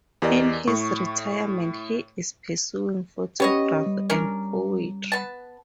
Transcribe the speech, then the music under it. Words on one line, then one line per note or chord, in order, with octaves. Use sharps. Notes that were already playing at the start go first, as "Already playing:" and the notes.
In his retirement he is pursuing photography and poetry.
E2 G4 A#4 D5 D#5
A2 C#6
B3 C#4 G4 C#5 D#5
G3
C#4 D4 A#4
B3 A5